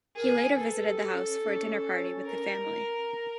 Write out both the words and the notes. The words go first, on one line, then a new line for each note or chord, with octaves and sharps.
He later visited the house for a dinner party with the family.
G#4 A#4
A4 B4
G4
C#4
C#4
A#4